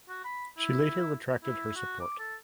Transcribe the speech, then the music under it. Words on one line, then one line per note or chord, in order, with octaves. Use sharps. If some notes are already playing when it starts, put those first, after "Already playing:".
She later retracted her support.
F#4
B5
E4
E4
F#4
D6
A4